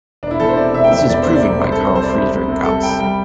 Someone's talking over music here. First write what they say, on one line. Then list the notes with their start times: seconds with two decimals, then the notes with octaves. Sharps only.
This was proven by Carl Friedrich Gauss.
0.23 E1 D4
0.31 E4
0.40 E2 A4
0.48 C5
0.57 C3 D5
0.74 E1 E5
0.84 G5
0.91 E1 E5
1.09 E2 D5
1.22 C3 C5
1.36 D5
1.44 E1
1.61 C2 C5
1.72 A4
1.78 C3
1.83 C5
1.95 G3 C5
2.03 D5
2.09 C2 C5
2.30 C2
2.48 C3
2.65 G3 A4
2.83 C2 G5
2.99 G3 G5